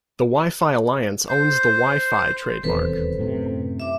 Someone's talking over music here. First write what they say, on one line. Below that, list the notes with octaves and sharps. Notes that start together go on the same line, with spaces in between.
The Wi-Fi Alliance owns the "Wi-Fi" trademark.
C5
D#1 E2 C3 A4 B4 C5
F#2 A2 C3
E5 D6